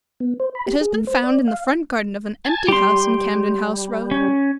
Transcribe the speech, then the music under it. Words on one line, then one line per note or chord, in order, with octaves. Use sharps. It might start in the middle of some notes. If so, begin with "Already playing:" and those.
It has been found in the front garden of an empty house in Campden House Road.
B3
C5
B5
G4
G#4
A3
C5
D5
F5
G#5 A5
G3 G4 C6
C#4